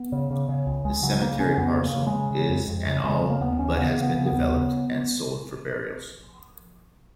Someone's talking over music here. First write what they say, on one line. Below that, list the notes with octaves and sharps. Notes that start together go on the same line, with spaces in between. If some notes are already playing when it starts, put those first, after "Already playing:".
The cemetery parcel is and all but has been developed and sold for burials.
Already playing: B3
C#3
C#3
C#3
C#2
C#2 G#3
C#3 F#3
C#3 A#3
C#3 C#4
F2 B3
C#3
A#3
C#3
G#3
C#3
C#3
F2
F2
C#3
C#3 G#3
C#3
A#3
D#2 B3
D#2 C#4
C#3 B3
C#3
B3
C#3
B3
D#2
C#3